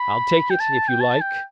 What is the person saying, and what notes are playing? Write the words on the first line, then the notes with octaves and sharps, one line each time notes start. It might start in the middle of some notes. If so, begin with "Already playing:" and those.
"I'll take it, if you like."
Already playing: B5
G5
A5
G5
A5
G5